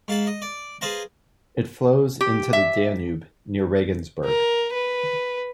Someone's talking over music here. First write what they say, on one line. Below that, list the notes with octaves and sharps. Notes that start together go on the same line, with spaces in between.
It flows into the Danube near Regensburg.
G#2 F5 A5 B5
D#5
D5
G#4 B4 C5 F5 A5 A#5
G4
E5
A#4
B4